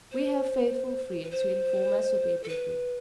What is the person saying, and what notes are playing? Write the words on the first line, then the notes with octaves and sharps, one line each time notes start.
"We have faithful friends, who inform us of everything."
C5
B4
C5
A4
B4